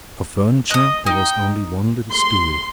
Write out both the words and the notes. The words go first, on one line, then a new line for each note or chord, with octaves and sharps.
For furniture there was only one little stool.
D#5 D#6 F#6
D#4 G5
C6